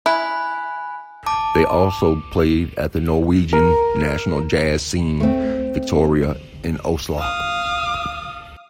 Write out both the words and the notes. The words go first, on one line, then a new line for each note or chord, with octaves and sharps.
They also played at the Norwegian National Jazz Scene, Victoria, in Oslo.
E4 G#5 B5 F#6
A5 D6
A#4
A3 C4
F5 D#6